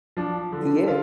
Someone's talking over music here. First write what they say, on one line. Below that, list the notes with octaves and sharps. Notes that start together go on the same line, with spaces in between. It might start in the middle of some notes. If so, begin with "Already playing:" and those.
He is.
F3 D4
D3
F4